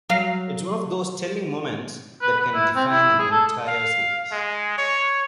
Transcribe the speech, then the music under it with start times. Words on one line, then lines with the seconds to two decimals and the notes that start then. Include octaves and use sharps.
It's one of those telling moments that can define an entire series.
0.10 F#3 F5
2.22 B4
2.40 B4
2.54 E4
2.76 C4
2.90 E4
3.19 G#4
3.31 A4
3.68 F5
4.32 G#3
4.78 C#5